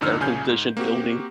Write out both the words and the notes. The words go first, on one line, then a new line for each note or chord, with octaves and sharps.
air conditioned building.
F2 G#2 D3 D#4 E6 F6
C2 A#2 C#3 G#5 F6 G6
G#2
A#3 C4 F#4 G4